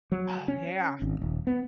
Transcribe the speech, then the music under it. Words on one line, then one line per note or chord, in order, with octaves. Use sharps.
Oh, yeah.
F#3
C#4
G#1
D#1
B3